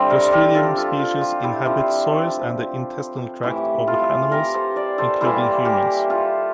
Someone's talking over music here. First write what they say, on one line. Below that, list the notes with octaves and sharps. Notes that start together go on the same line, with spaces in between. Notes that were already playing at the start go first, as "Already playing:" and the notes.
"Clostridium" species inhabit soils and the intestinal tract of animals, including humans.
Already playing: D3 G3 C4 C5 E5
A#4 D5
G4 A#4
F4 A4
F4 A4
F4
F4
E4 G4
D3 F3 C4 F4
A2 E3 A3 E4 G4
F4 A4
G4 A#4
A4 C5
A#4 D5
A4 C5
E3 G3 A#3 E4 A4 C5
G4 A#4
F4 A4